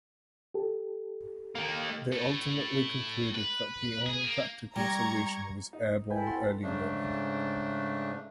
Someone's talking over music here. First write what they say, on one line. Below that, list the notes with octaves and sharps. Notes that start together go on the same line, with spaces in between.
They ultimately concluded that the only practical solution was airborne early warning.
G4 A4
D#3 A#3
A2
B4
G#4
A#3
G3 A#5 C#6 G#6
D#4
E4 A4 B4 G5 G#5 B5
C4 F#4 C6
G#2 C#3 A3 D4